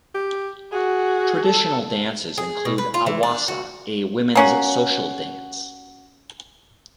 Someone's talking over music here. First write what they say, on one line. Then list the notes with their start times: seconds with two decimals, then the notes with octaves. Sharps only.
Traditional dances include "awasa", a women's social dance.
0.15 G4
0.72 F#4 G#4
1.45 A4
2.38 G#4
2.65 B2
2.78 B4
2.94 F4
3.06 E3
3.23 D4
3.48 F#4
4.35 A#3 C#4 F#4